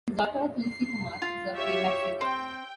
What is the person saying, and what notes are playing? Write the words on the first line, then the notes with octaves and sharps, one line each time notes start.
His daughter Tulsi Kumar is a playback singer.
C7
F4
G4 C#5 E5
C4 G5